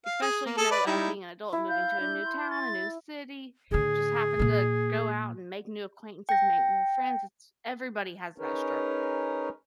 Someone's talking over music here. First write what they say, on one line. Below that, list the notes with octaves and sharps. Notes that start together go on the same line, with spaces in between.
especially, you know, as being an adult, moving to a new town, a new city, just happen to go out and make new acquaintances, make new friends, it's everybody has that struggle,
F5
G#4
A#3
G#4 A4 A5
B4 D5
G3 D#4 E4
E4
F5 G6
D4
C6
A6
A2 D3 G#4
A#2 A#3
G5 A#6
C#4 D#4 G#4 A#4 B4 C#5